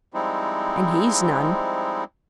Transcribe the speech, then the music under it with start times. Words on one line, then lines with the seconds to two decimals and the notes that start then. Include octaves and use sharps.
And he's none.
0.14 F3 G3 G#3 C4 D#4 E4